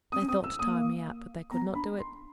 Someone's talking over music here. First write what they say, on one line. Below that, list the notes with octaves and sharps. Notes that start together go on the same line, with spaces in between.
They thought to tire me out, but they could not do it.
C4 D#6
C#4
C4 D#6
E6
A#3 D#6
B3 A#5
D4 B5
C6